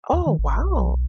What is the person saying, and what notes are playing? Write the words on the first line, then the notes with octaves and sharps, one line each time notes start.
Oh, wow.
D#2
D#3
G#1
B1